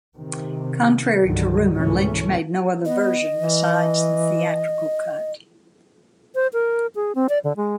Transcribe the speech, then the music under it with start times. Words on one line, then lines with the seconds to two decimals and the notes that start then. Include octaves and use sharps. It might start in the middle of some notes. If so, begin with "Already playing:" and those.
Contrary to rumor, Lynch made no other version besides the theatrical cut.
0.17 C3 D#3
1.24 C2 G2 D3 D#3 F#3 G3
1.74 C#2 G#2 B2 E3 A3 C#4
2.85 B3 D#5
3.35 E3
6.35 C5
6.53 A#4
6.95 G#4
7.15 C4
7.29 D5
7.44 D3
7.57 G#3